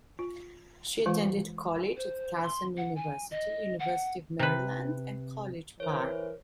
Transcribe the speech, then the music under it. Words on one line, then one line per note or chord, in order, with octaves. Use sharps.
She attended college at Towson University, University of Maryland and College Park.
F4
E3 G#3 F4 C5
C5
C6
F#5
G#5
D#5
F#5
C3 B4
E3 A#4 C5 C#5